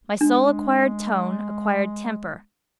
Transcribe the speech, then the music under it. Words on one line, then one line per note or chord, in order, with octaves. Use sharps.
My soul acquired tone--acquired temper.
G#3 D4